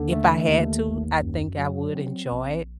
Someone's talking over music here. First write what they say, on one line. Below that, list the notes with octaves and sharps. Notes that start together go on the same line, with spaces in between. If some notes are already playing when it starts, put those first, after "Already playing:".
if I had to, I think I would enjoy
Already playing: D#2 D3
A3
D#2
G1
F#2
F#3
C4
A#1